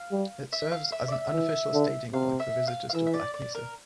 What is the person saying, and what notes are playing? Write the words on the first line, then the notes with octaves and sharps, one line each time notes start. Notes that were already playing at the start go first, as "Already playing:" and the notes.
It serves as an unofficial staging point for visitors to Black Mesa.
Already playing: F5
G3
E5
F5
E5
D5
E5
E3
D3
C3 F5
E5
F5
F5
E3 E5
E5
D5
D5
A#4